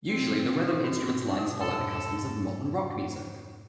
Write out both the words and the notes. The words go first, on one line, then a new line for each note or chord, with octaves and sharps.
Usually, the rhythm instrument lines follow the customs of modern rock music.
C4
B2
A2
G#2
C4
A2 D4
C3
B2
F2
G#2 A4
F2
G#2
F2 A4
G#2